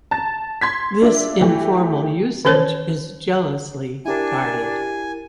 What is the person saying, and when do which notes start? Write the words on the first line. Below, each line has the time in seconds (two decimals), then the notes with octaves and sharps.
This informal usage is jealously guarded.
0.11 A5 A6
0.61 C6 G#6 B6
1.02 D4 F4 D5 E5
1.41 E3 A3 G4
2.45 D#3 E3 C#4 A#4 C5 C#5
4.06 D4 E4 G4 A#4 G#5